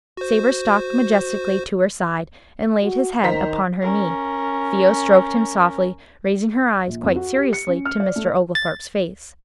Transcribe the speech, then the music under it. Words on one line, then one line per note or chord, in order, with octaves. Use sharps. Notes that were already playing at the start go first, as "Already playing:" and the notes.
Sabre stalked majestically to her side, and laid his head upon her knee. Theo stroked him softly, raising her eyes quite seriously to Mr. Oglethorpe's face.
F#4 C5
F#4
D#3 C5 A#5 B6
C#4 A#4
A#1
F2
F#4
G4
C#7
C#4
F6
D5
A3
A6